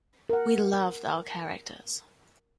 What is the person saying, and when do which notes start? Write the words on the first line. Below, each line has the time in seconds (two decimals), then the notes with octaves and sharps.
We loved our characters.
0.29 A#4 F#5